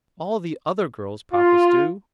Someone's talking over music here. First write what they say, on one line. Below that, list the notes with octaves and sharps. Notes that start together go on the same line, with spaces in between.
"All the other girls' Papas do."
F4